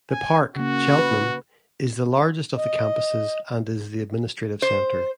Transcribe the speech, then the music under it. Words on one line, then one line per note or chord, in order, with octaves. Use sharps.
The Park, Cheltenham, is the largest of the campuses and is the administrative centre.
G#5
C#3 A#3 F#4
B4
D#5
C5